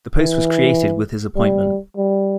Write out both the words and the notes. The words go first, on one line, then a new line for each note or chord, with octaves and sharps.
The post was created with his appointment.
E3
G3
G3